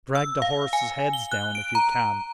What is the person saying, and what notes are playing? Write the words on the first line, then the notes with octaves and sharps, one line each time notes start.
Drag the horses' heads down, if you can!
E6
F5
G#5
G7
F#6
D7
A#5